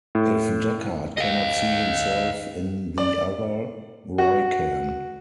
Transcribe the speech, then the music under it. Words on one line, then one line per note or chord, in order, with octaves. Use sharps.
If Deckard cannot see himself in the other, Roy can.
A2
D#5 F5
D5
F#4